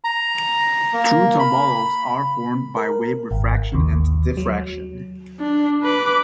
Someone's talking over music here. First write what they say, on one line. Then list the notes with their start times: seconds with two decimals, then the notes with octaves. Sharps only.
True tombolos are formed by wave refraction and diffraction.
0.04 A#5
0.93 A#3
1.39 B5
2.77 A#4
3.31 G#1
3.75 D#2
4.37 F#3
5.39 D4
5.83 B4 D6